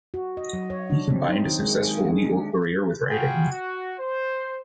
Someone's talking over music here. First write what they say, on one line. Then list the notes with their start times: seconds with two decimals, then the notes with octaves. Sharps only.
He combined a successful legal career with writing.
0.14 F#4
0.37 D#5
0.53 F#3
0.70 C#5
0.90 D4
1.10 C4
1.29 D#4
1.46 D#3
1.59 G#3
1.82 G#4
2.05 G#3
2.24 D4
3.08 G3 F4 F#4 G#4 G5
3.50 F#4
3.98 C5